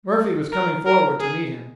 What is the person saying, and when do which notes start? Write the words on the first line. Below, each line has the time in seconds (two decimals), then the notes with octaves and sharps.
Murphy was coming forward to meet him.
0.52 A#4
0.86 A#4
1.20 G#4